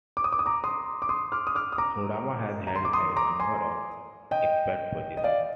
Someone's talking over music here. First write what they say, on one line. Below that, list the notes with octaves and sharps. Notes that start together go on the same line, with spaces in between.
Sotamaa has held a number of expert positions.
D6
D#6
D6
D#6
A#5 D6
C6 D#6
D6
C6 D#6
D6 F6
D#6
D6 F6
D#6
A#5 D6
A#5
C6
D6
C6 D#6
A#5 D6
G#5 C6
D#5 G5
D#5
D5 F5